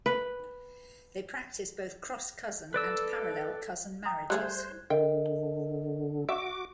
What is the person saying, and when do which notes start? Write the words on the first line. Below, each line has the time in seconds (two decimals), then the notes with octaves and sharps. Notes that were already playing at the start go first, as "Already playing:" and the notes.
They practice both cross cousin and parallel cousin marriages.
0.06 B4
2.74 A4 B4 D5 E6
4.05 G5 A#5 D#6
4.30 G3 A3 G#4 C5 F#6 G#6
4.90 D3 A#4 D#5 E5 G5
6.29 F#4 E5 D6